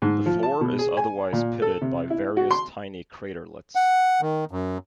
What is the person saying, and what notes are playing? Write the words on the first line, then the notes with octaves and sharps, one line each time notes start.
The floor is otherwise pitted by various tiny craterlets.
G#2
F3
A5
B2
G#4
G#5
A#2
A4
C3
E4
F#4
C6
F#5
D#3
F#2